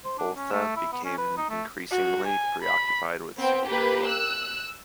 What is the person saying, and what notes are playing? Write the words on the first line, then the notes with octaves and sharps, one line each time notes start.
Botha became increasingly preoccupied with security.
C5
D4
C#4
A3
E4
B3
C#4
B4
D#4
A3
F#4
G#5
B5
B3 C4 G5
A#3 G4 B4 B5
E6 F#6